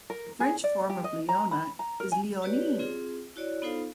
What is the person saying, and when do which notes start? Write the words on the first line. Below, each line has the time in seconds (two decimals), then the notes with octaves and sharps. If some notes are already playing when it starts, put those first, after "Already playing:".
The French form of Leona is Leonie.
0.10 A#4
0.40 G#4
0.64 D5
0.90 G4
1.04 D#5
1.29 A#5
1.51 B5
1.79 A#5
2.00 A#4
2.12 G#5
2.42 F#4 G4 B4 C#5 D5
2.79 C4 F4 G#4
3.36 E4 F#4 C#5 D5
3.62 B3 D#4 F4 A4 C5 F5